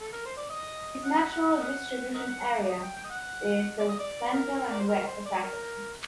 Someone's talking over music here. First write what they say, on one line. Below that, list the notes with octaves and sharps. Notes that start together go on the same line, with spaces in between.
Its natural distribution area is the center and west of Africa.
A4
A#4
C5
D5
D#5
F#5
F#5
A#4 D#5 F#5
A#4 D#5 F#5
D5
D#5
G5
G5
D#5
F#5
D5
D#5
D5
A#4
D5
C5
A#4
C5
D5
A#4